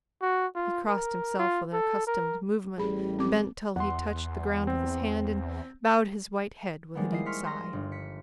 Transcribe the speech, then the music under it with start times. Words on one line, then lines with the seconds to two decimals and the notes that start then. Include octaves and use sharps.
He crossed himself with an accustomed movement, bent till he touched the ground with his hand, and bowed his white head with a deep sigh.
0.22 F#4
0.55 F4
0.88 A#4
1.39 F4
1.73 A4
2.07 A#4
2.78 A1 G3 G#4 B5
3.18 C4 D6
3.76 E2 F#5 C6
4.67 C4
6.95 D#3 F3 G3 G#3 A#3 B3
7.11 E4 D#5 C7
7.26 C6 C#6 F6 B6 C#7
7.45 C6 F6 A#6
7.73 G1
7.92 B6 C#7